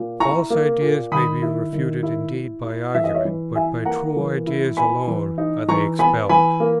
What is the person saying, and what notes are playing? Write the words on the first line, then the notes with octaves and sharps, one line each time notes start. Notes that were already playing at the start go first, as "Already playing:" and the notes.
False ideas may be refuted indeed by argument, but by true ideas alone are they expelled.
Already playing: A#2
E4 A#5 C#6
A#3
A#2
D#3 B5 D#6
E4
D#3
E4
E4
E4
E3 E5
D#5
C#5 E5
E3
E4 E5 G#5
A#3 F#5 A#5
E3
E4
B3 G#5 B5
E3
D#4
E3 A#5 C#6
B3 G#5 B5
E3 G#5 B5
A#3